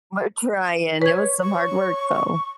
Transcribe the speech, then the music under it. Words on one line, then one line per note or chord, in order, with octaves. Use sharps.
We're trying. It was some hard work, though.
B4 C#5 G#6
C#5 C#6